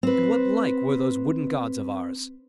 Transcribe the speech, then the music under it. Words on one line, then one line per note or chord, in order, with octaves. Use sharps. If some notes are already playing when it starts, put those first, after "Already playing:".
And what like were those wooden gods of ours?
C4 B4